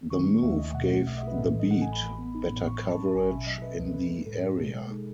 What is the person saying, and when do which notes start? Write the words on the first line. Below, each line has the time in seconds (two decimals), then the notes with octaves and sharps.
The move gave The Beat better coverage in the area.
0.10 D#3 C#6
0.27 A3
0.43 D#2 E5
0.58 D#2 D#5
0.74 B2 F#5
0.91 A3
1.06 B1 E5
1.17 B1 D#5
1.27 B4
1.38 A2 A4
1.49 A4
1.54 E3
1.60 D#5
1.70 A3 F#5
1.82 G#5
1.87 A1
1.92 B5
2.02 E3
2.19 B3
2.35 D#4
2.50 A2
2.66 A2 C#6
2.78 F#3 B5
2.88 A5
2.99 C#4 A5
3.14 A1 G#5
3.30 B2 E5
3.46 F#3 D#5
3.62 C#4 B4
3.79 C#2 A4
3.94 E3 B4
4.10 G#3
4.26 A2 A4
4.43 A2
4.58 B2 A4
4.75 G#3
4.91 D#4 G#4